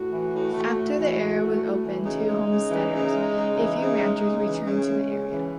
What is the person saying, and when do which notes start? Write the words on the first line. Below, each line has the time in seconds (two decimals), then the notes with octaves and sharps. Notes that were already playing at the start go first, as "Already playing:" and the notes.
After the area was opened to homesteaders a few ranchers returned to the area.
Already playing: A2 F#4
0.10 E3
0.32 A2
0.53 A3
0.76 A2
0.98 E3
1.18 A2
1.40 A3
1.62 A2
1.84 E3
2.05 C#3 D#4
2.26 G#3
2.49 C#3
2.70 E3
2.91 C#3
3.14 G#3
3.35 C#3
3.56 E3
3.79 C#3
3.99 G#3
4.22 C#3
4.43 E3
4.64 C#3 C#4
4.86 G#3
5.08 C#3
5.30 E3